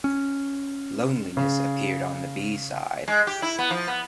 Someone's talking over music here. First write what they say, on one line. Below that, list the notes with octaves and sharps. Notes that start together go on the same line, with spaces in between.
"Loneliness" appeared on the B-side.
C#4
C#3
G#3
G4
E4
B3
F3
B3